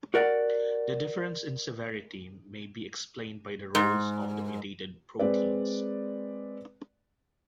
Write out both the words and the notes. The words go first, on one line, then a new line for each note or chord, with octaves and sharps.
The difference in severity may be explained by the roles of the mutated proteins.
F#4 A#4 D5 F#5
G#2
G#3 C4 B4 D5